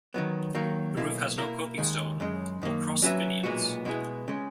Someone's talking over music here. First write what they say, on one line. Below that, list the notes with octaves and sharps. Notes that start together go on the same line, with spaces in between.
The roof has no Coping stone or Cross finials.
D#3 F#3 B3
D#3 F#3 A#3
B1 B2 A#3 E4
B2 A#3 E4 A#4
D#2 D#3 G#3
F#2 C#3 G#3
F#2 D#3 A#3
F#3 C#4 F#4 B4 E5
B1 A#2 G#3 B3 F#4
B2 G#3 B3 E4 G#4
C#3 G#3